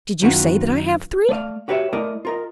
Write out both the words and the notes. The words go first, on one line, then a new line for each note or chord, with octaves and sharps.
"Did you say that I have three?"
F#2 D#3 B3 F4 F#4
A3 D5 D#5 F5
F#4 G4 B4 C#5 D5 E5
A3 E4 A#4 D5 D#5
F4 A#4 D#5